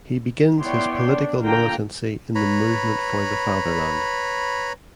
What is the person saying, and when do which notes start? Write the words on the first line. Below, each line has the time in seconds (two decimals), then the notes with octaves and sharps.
He begins his political militancy in the Movement for the Fatherland.
0.60 B3 E4 C#5 D5 G5 C6
1.07 D4
1.42 D3 A#3 F4 G5 A#5
2.35 B4 C#5 A#5 B5